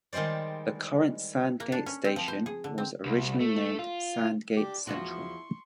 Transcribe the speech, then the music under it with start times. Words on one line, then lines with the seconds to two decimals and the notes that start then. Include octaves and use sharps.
The current Sandgate station was originally named Sandgate Central.
0.13 D#3 G3 G#3 C5 D5
1.60 A#3
1.72 D4
1.86 C#4
2.05 C4
2.16 F3
2.28 C5
2.46 G#4
2.64 D3
2.78 C4
3.05 C2
3.40 A3
3.79 F4
4.57 D4 G4 D6
4.87 E2 F3 E4 F#4 C6 C#6